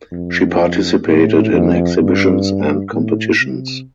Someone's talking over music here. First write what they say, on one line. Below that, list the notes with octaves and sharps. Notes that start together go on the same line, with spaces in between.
She participated in exhibitions and competitions.
F2
A2
F2
G2
A2
C3